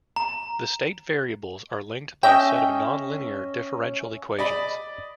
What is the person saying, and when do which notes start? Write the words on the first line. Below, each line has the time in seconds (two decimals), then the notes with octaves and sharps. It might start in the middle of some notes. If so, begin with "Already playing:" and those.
The state variables are linked by a set of nonlinear differential equations.
0.16 A#5
2.23 C#4 D#5 E5 G5
4.39 D5 D#5 B5